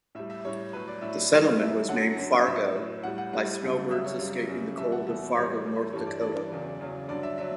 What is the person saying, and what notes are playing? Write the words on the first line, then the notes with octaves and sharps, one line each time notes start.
The settlement was named Fargo by snowbirds escaping the cold of Fargo, North Dakota.
A2 G3 E5
E5
A2 G3 C#5
A2 F#3 B4
D5
A2 F#3 E5
F#2 E3 G3
F#2 E3 G3 E5
F#2 D3 F#3 F#5
F#2 D3 F#3
A2 F#3 E5
A2 F#3
A2 G3 F#5
F#5
A2 G3 F#5
F#2 C#3 G3
F#2 C#3 G3 E5
C#5
F#2 C#3 G3
F#2 C#3 G3
E2 B2 G3 E5
F#5
E2 B2 G3 E5
A2 E3 G3 C#5
A2 E3 G3
G2 E3 G3 C#5
D5
G2 E3 G3 D5
E2 C#3 F#3
E2 C#3 F#3
G2 D3 F#3 D5
E5
D3 F#3 E5